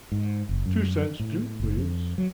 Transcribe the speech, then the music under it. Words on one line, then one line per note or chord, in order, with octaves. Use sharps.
"Two cents due, please."
G#2
F#1
F#2
A2
F#1
F2
F#3